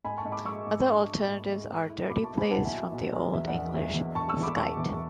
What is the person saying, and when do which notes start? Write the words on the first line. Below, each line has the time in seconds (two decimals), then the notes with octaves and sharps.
Other alternatives are 'dirty place', from the old English "scite".
0.04 G#2 G#5 B5
0.18 A5 C#6
0.25 G#2
0.32 B5 D6
0.45 G#3 C#6 E6
0.66 G#2
0.87 D4
1.07 G#2
1.27 G#2
1.48 G#3
1.69 A3
1.89 E4
2.10 B2 B5 D6
2.24 A5 C#6
2.30 E4
2.37 G#5 B5
2.51 E4 F#5 A5
2.65 E5 G#5
2.72 B1
2.92 B1
3.13 B1
3.33 E2 E5
3.48 D5 F#5
3.54 E1
3.74 E2 E5
3.95 E2
4.15 E1 A5 C#6
4.29 C#6 E6
4.37 E2
4.43 B5 D6
4.56 E1 A5 C#6
4.77 E2